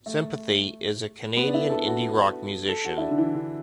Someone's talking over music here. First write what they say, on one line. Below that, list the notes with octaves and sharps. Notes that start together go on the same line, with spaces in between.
Sympathy, is a Canadian indie rock musician.
A3
B3
D4
E4
A4
F#4
A4
F#4
E4
D4
D3
E3
D3